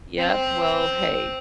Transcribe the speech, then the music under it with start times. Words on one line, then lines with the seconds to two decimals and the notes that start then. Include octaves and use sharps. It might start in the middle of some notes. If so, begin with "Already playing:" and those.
Yup, well hey,
0.18 C4